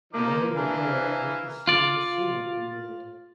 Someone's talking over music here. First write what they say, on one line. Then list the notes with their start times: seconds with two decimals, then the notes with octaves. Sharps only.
A man in a blue outfit is swinging a sword in the air.
0.13 F3 A#3 D#4 A#4 D6
0.56 E3 D4 A#4 B4 F5 G#5
1.68 F4 D5